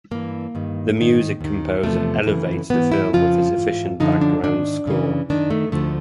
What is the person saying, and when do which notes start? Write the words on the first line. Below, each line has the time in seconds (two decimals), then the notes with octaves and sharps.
The music composer elevates the film with his efficient background score.
0.11 G2 E3 A#3
0.55 G2 D#3
0.97 G#2 D#3
1.41 D#2 D#3
1.83 E2 C3 F3 A3
2.26 F#2 C#3 E3
2.70 G#2 E3 B3
2.92 E4
3.13 F2 C#3 F3 F4
3.57 G#2 E3
4.00 F#2 D3 F3 D#4
4.21 D4
4.44 G#2 D#3 D4
4.86 F#2 C#3 E3
5.30 F#2 D#3 D4
5.50 A3
5.72 D2 D3 F3 A3